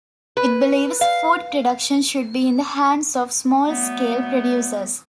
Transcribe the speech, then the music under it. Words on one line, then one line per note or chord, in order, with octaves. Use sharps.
It believes food production should be in the hands of small-scale producers.
B4
F5
F#3 G3 A3 B3